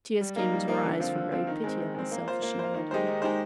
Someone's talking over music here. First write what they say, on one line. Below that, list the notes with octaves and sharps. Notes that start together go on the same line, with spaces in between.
Tears came into her eyes for very pity of herself as she heard him.
G3
A#3 D#4 A#4
G3
A#3 D#4 A#4
D3
F3 C4 F4
D3
F3 C4 F4
D#3
G#3 C4
D#3
G#3 C4
A#3
F4 C5
A#3
F4 C5
D#3
G#3 D#4 G4 C5
D#3
G#3 D#4 G4 C5